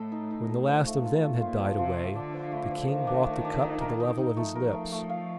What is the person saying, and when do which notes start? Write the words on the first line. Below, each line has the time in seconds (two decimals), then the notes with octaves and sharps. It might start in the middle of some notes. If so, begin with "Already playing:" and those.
When the last of them had died away, the king brought the cup to the level of his lips.
Already playing: A2 A4 D#5
0.12 D#4
0.31 D#4
0.49 A4
0.68 F3
0.87 A3
1.05 F4
1.23 F4
1.41 A#2 F4
1.59 F3
1.78 C3 F4
1.97 A3
2.15 D3 D4
2.34 F3
2.52 A3
2.71 F3
2.88 D#3 F3
3.07 D4
3.25 A3
3.45 D4
3.62 D#4
3.81 A#4
4.00 D#4
4.18 D#4
4.36 F3 A3
4.55 A#4
4.73 A3
4.92 A3
5.09 F5